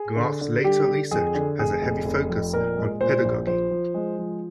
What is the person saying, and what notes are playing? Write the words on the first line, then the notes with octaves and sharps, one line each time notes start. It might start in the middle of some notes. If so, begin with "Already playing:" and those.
Graff's later research has a heavy focus on pedagogy.
Already playing: G#4
D3
D3
G3 G4
D3
F2 G#4
D3
F1 G#4
F1
F1
F2
A#2 A#4
G#3
A#2 C5
A#1
F3 C5
F3
G#3
F3